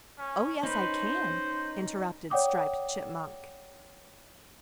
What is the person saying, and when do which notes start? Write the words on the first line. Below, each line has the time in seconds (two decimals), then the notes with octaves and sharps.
"Oh, yes, I can," interrupted Striped Chipmunk.
0.18 C#4
0.63 C#4 D#4 B4 C5
2.30 C#5 D5 F#5 G5 D6 D#6